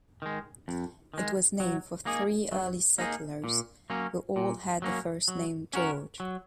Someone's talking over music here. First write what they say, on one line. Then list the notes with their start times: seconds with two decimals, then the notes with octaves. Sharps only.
It was named for three early settlers who all had the first name George.
0.22 D#3 G#3
0.68 F2
1.14 D#3 G#3
1.60 F#3
2.06 A#3 D#4 G#4
2.52 F#3
2.98 A#3 D#4 G#4
3.44 A#2
3.90 F#3 A#3 C#4
4.36 A#2
4.82 F#3 A#3 C#4
5.28 F#3
5.73 C#4 F#4 A#4
6.20 F#3